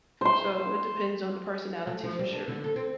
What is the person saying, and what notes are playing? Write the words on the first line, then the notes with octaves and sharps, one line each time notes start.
So it depends on the personality for sure.
C5 C6
A3
F3
G3
D4
D3
A4
C4